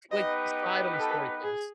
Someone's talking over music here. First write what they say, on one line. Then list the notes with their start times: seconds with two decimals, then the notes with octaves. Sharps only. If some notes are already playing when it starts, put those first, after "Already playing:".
Like, decide on the story, please.
0.11 B3 D#4 G4 B4 D#5
0.99 A4
1.44 G#4